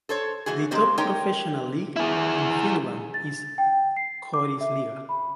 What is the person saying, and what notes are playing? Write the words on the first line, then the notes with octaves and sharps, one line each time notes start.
The top professional league in Finland is Korisliiga.
A4 C5 C#5
E3 A3 F#4 G#4
G#3 A#3 C4 G4 C5
D#4 G4 A#4 C#5 G5
E4 G#4
A6
G5
C7
D6
E5
B5